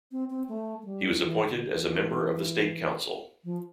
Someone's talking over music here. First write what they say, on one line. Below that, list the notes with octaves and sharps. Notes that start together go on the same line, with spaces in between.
He was appointed as a member of the State Council.
C4
C4
A3
A3
G3
E3
D3
E3
F3